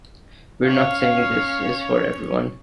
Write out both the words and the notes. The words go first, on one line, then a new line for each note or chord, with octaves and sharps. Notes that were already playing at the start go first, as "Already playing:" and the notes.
We're not saying this is for everyone.
C#4 C#5 F5